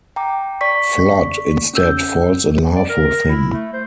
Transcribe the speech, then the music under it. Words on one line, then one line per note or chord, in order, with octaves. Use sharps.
Flood instead falls in love with him.
G5 A#5 D6
D5 C#6 B6
C#4 E6 G6
D5
A#4
E4
A3
C5